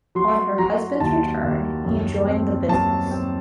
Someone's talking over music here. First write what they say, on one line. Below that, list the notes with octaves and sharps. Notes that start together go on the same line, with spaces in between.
On her husband's return, he joined the business.
F#3 C6
F#3 A#5
D#2 A5
D#2
F#2
C4
F#2 A5
C4